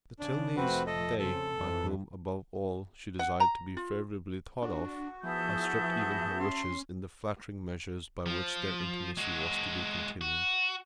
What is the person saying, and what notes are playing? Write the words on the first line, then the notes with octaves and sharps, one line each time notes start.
The Tilneys, they, by whom, above all, she desired to be favourably thought of, outstripped even her wishes in the flattering measures by which their intimacy was to be continued.
C#3 D4
F1 F3 A3 C4 F#4 B4
A4 D#5
C#3 C4 A4
F2 E3
F#5
A#5
F4
D4 F#4
F3 B3 E4 F#4 G#4 E5 A5 G6
C#4 C6
F3
G#3 F#4
F#4